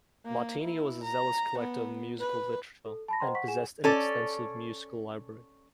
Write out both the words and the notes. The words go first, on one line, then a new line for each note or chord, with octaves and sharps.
Martini was a zealous collector of musical literature, and possessed an extensive musical library.
A#3
E4
A#5
B3
B4
A4
A5 B5 A#6
C5 D#5 F#5 G5 A#5 C6
F#5 C#6 B6
G#4 F#5 G#5 E7
C#4 A4 D5